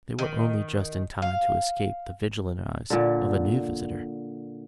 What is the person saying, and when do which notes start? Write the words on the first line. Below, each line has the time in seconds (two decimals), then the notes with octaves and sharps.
But they were only just in time to escape the vigilant eyes of a new visitor.
0.19 D#3
1.22 F5
2.90 A#2 D3